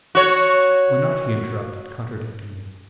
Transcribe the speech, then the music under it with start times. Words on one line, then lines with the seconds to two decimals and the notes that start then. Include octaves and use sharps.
"Why not!" he interrupted, contradicting me.
0.15 F#4 C#5